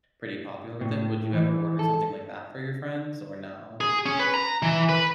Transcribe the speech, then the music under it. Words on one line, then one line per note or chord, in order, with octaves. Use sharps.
pretty popular with it. Would you ever order something like that for your friends or no?
A2
E3
A4
G#4
C#4
B4
A#5
E3
B4